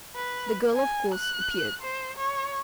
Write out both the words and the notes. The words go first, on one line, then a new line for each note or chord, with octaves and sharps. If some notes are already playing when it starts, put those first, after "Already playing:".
The girl of course appeared.
B4
G#5
F#6
C5
C#5